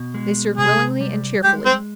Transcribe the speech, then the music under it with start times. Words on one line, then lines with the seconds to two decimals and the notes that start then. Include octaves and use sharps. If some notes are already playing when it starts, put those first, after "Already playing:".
They served willingly and cheerfully.
Already playing: B2
0.14 G#3
0.57 C3 G#4
1.01 G3
1.44 G#3 G4
1.66 C4